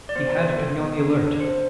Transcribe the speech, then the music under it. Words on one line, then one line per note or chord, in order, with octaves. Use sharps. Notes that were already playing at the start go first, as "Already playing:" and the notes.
He had to be on the alert.
D5
B3 C5
F4
A4
B3
D4
A4
C4 C5